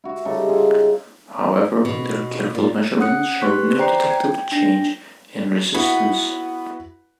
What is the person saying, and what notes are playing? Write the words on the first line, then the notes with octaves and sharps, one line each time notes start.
However their careful measurements showed no detectable change in resistance.
E4 F#4
C#3 G3 D#4 A4
F4 G#4
B2
A#2
C#4 F#5 D#6 F#6 C#7
G4 B4 C6 C#6 F#6 B6
C5 D5 G5 A#5 C7
G5 G#6
D4 G5 A#6
B3 E4 F#4